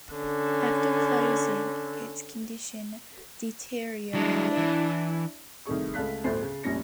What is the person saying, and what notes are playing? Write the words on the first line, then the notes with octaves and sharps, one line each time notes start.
After closing, its condition deteriorated.
D3 C#4
F#3 G#3 D4 E4
E3
C2 D#3 A3 G#4 C#6
C#2 A3 F5 A5 F#6 B6
G1 D2 A2 C5 A6 C7
C#3
F1 A#1 G3 C#4 A#6 C#7